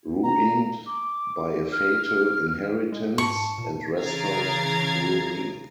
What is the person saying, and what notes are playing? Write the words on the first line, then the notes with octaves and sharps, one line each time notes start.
Ruined by a fatal inheritance, and restored through me!
A#5
D6
F6
G#3
G#2 A5 C#6
A#2
C#3 E3 A#5 G#6 A6 C7